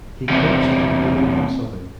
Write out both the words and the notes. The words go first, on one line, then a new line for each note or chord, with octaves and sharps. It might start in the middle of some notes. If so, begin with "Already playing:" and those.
He coached at Birmingham–Southern.
E2 C3